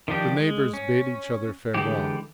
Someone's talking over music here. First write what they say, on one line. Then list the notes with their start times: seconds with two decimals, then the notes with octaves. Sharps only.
The neighbours bade each other farewell.
0.08 D#3 F3 D4 G4
0.38 G#3
0.73 C#4
1.74 D3 E3 G#3 G4